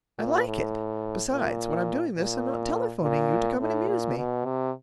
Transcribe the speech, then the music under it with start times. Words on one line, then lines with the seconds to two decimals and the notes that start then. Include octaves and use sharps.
I like it; besides, when I'm doing this I'm not telephoning you to come and amuse me.
0.18 A#2
0.46 A2
1.31 A#2
2.17 A#2
3.02 A#2
3.60 A2
3.88 A#2
4.17 B2
4.45 C3